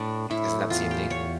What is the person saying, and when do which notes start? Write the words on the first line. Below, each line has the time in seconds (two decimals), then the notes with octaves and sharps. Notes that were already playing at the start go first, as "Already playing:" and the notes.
isn't that the same thing?
Already playing: A2 D4
0.30 A2 E4
0.70 E2 F4
0.91 G4
1.10 E2 C#5